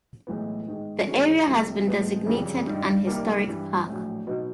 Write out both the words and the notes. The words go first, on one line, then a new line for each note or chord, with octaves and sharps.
The area has been designated an historic park.
B1 A2 E3 G#3 B3
G#2 D#3 G#3 B3
G#2 E3 G#3 C#4 F#4
C2 C3 F3 G#3
A2 F3 G#3 B3
F#1 F2 C#3 E3 G3
G2 D#3 G3
C2 C3 D#3 G3 A#3
G2 E3 G3
A#1 A2 F#3
B2 F#3 B3 D#4 F#4